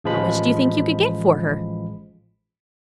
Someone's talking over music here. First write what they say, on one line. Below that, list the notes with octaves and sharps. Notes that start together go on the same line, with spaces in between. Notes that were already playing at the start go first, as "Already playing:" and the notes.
"How much do you think you could get for her?"
A1 F3 G#3 B5